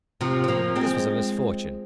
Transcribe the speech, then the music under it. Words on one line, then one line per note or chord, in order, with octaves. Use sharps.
This was a misfortune.
C3 F3
C4
F3 A#3
G#3 C4